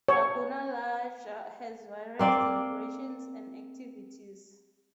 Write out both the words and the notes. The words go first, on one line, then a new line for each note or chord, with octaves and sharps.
Laguna Larga has various celebrations and activities.
C#5
A#3 C4 D5 F5